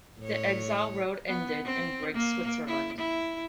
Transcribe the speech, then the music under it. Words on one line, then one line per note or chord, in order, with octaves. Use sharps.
The exile road ended in Brig, Switzerland.
A2 C#5
B3
C4
A#3
E4
E4